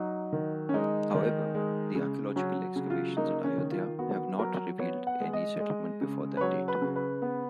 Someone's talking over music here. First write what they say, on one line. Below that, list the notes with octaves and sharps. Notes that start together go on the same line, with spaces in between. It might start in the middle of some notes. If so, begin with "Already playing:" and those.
However, the archaeological excavations at Ayodhya have not revealed any settlement before that date.
Already playing: F#3 D#4
D#3
C#4
G#3 D#4
D#3
G#3
C#3
F#3 C#4
C#3
F4
A#3 D#4
C#4
D#3
F4
B3 F#4
F#3 A#4
B3 C#5
F#5
G#3
D#5
G#3
C#3
B4
F#3 C#5
B4
C#3
B4
B3